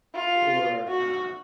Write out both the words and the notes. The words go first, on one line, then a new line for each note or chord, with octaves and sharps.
or, uh
F4
F#4